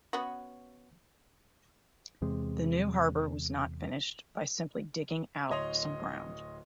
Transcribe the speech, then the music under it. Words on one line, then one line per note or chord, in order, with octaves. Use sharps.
The new harbor was not finished by simply digging out some ground.
B3 C#4 F#4
E2 C3 G#3
D1 C#5 D#5 C6 F7